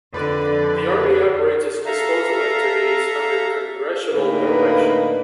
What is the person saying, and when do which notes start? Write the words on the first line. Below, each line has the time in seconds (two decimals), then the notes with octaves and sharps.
The Army operates its disposal activities under congressional direction.
0.13 F2 D3 B4 D5
1.86 A4 E5 F5 A#5
4.14 A2 D3 A#3 D#4 B4